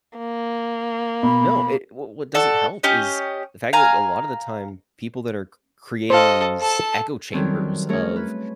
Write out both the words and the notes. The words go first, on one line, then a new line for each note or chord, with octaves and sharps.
No, it wh what doesn't help is the fact that a lotta the time, people that are c-creating these echo chambers of
A#3
B2 B5
F#4 A4 D5
C#4 G4 D#5
F5 G#5 A#5
A4 C5 D#5 F5
A4 A5
D#3 F#3 G3 C4 C#4 A4
A3 C#4 G#4 A#4 C#5
B4